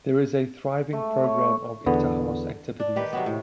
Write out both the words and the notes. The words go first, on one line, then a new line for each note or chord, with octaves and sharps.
There is a thriving programme of inter-House activities.
A3
C#5
E2 D3 B3
D4
D#3 G4 B4
C3 F#3 B3
A2